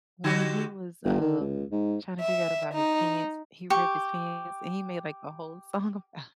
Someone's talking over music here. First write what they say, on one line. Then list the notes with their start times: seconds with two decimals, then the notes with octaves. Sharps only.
when he was, um, trying to figure out about his pants he ripped his pants, and he made, like, a whole song about
0.24 D3 F#4 G4
1.05 G1
1.21 D#3
1.40 C#2
1.72 G#2
2.20 E5
2.74 D#4
3.70 G4 C#6